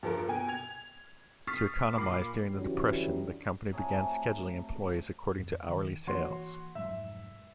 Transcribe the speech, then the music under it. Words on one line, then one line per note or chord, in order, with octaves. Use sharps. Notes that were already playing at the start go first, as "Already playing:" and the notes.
To economize during the Depression, the company began scheduling employees according to hourly sales.
G2 F3 A4 A#4
B2 G5 G#5
G#6 F7
C#6 D#6 F6 A6 B6 C7
A#2 B5 D6 C7
F#2 D3 E3 F#3 G3
C3 F#3 A3 G#4
F2
D#3
E3 A#3 F#4 C#5 C6
F1 G#2 F#3 E5